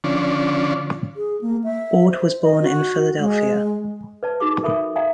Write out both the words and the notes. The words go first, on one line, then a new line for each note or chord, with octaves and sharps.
Ord was born in Philadelphia.
D3 F3 C#4 D4
G#4
A#3
E5
C5
D#5
F#4
G#3
B4 D5 A5
D#4 F#4 G#4 C#6 D6
A4 A#4 E5 B5 C#6 D#6
D5 E5 F5 G#5 A#5 D#6